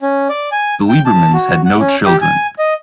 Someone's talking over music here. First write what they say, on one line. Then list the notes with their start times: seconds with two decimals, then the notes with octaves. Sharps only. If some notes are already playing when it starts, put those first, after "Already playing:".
The Liebermans had no children.
0.02 C#4
0.29 D5
0.52 G#5
0.89 G5
1.05 A5
1.33 F#4
1.66 F#5
1.80 C#4
2.06 G4
2.22 G#5
2.59 D#5